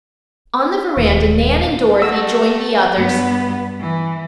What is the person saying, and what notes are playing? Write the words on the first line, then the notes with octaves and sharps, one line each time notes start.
On the veranda Nan and Dorothy joined the others.
D#1
A3 G4 F#5 E6 A#6
G2 B3
E3